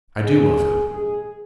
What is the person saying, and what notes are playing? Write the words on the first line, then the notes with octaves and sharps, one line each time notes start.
I do love him.
G#1 G#2 D#3 G#4
A#1 G#2 D#3 G#4